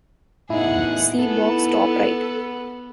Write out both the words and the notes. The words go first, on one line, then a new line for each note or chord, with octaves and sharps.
See box, top right.
A2 B3 D#4 E4 G#4 F#5
B3 A4